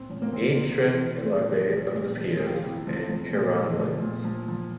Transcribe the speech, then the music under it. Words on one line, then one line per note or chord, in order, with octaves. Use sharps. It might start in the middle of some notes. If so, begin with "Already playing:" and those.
Eat shrimp and larvae of mosquitoes and chironomids.
Already playing: A#2 C4
F3 C#4
A#3
F3 C4
C3 C4
E3
C4
E3
A#2 C#4
F3
F3
A#2
F3
F3 G#4
G4
F4
C3 E4
F3
F3
A#2
F3
F3
A#2
F3
F3